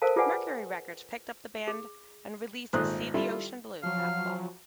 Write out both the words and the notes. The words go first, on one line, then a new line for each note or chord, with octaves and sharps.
Mercury Records picked up the band and released "See the Ocean Blue" that fall.
A4 A#4 C5 F5 A5
F4 G#4 B4 D5 F#5 G#5
G#4
G#1 A#2 A3 C5 D#6 F#6
G3 E4 F4 A4
F3 F#3 F5